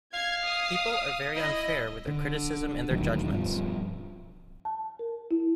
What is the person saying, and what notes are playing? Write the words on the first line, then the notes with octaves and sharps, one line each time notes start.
People are very unfair with their criticism and their judgements.
F5 G#6
D#6
E4 D#5
D3
D#1 D2 D#3 F#3
G2 B2 E3 F3
A5
A#4
E4